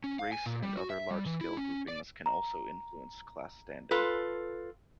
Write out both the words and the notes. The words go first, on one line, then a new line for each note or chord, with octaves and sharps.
Race and other large-scale groupings can also influence class standing.
C#4
F5
G#5
A#2
G3
F#4
E5
G3
E3
E4
C#4
D5
A#5
F4 A4 B4